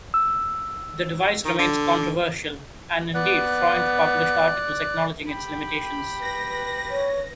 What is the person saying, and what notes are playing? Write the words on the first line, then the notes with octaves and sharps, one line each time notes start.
The device remains controversial, and indeed Freund published articles acknowledging its limitations.
E6
D#3
D3
B3 D5 F#6
G4 G5 B5
B4 A#6
C#5